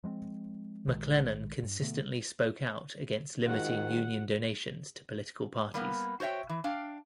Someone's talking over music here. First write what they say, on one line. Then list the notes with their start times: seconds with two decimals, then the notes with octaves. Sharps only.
McClellan consistently spoke out against limiting union donations to political parties.
0.04 F3 G#3 A3 C4
0.87 A#1 A#2 D#3 G#3
1.63 G2
1.81 B2 D3 A3 B3
3.46 G#2 D#3 F4 F#4 F#5
5.74 G3 A#3 B3
6.20 F#4 C5 C#5 E5 G5
6.49 E3
6.64 D4 F5 G5